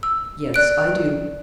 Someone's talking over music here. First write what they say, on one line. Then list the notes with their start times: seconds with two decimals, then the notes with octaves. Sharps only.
"Yes, I do."
0.03 E6
0.54 D5 F#6 D7